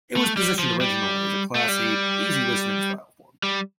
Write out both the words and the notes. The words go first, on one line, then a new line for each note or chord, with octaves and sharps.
It was positioned originally as a classy easy listening style format.
A3
G3
F3
G3
A3
G3
G3